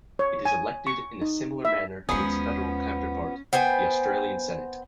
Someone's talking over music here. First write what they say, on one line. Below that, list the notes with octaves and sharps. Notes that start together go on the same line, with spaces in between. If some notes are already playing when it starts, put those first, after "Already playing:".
It is elected in a similar manner to its federal counterpart, the Australian Senate.
C#5
G#5
C#6
D#4
E5
D#2 F3 F#3 G#3 B3 C#4 G#4
B3 C5 G5 G#5